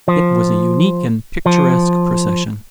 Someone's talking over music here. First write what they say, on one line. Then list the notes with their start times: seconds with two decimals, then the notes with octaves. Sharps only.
It was a unique and picturesque procession.
0.08 F3
1.46 F3